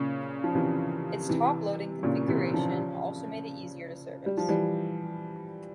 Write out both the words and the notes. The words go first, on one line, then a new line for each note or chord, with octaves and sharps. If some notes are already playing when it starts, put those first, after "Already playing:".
Its top loading configuration also made it easier to service.
Already playing: A#2 C#3
F3
C3 E3
C3 E3
A#2 C#3
C3 E3
C#3 F3
G3
F3
E3 G3